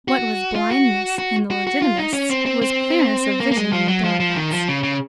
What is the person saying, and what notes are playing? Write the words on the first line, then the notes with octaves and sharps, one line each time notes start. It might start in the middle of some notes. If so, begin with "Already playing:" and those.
What was blindness in the legitimists was clearness of vision in the democrats.
F#4
F4
F#4
F#4
F#4
F#4
F4
D#4
C#4
C4
C4
C4
A#3
A#3
G#3
F3
F#3
F3
F3
D#3
F3
C#3
C#3